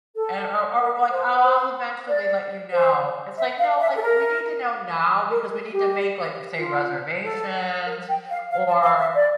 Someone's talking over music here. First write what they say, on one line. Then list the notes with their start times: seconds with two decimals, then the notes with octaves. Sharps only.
and or or, like, "Oh, I'll eventually let you know." It's, like, "No, like, we need to know now because we need to make," like, say, "reservations," or,
0.16 A4
0.80 A#4
1.11 C5
1.44 C5
2.08 D5
2.73 C5
3.37 E5
3.58 F5
3.80 E5
3.96 A4
4.01 A#4
5.30 A#4
5.73 G4
6.58 F4
7.23 A4
7.86 A#4
8.09 G5
8.29 F5
8.51 F5
8.67 A5
8.83 F5
8.99 E5
9.15 D5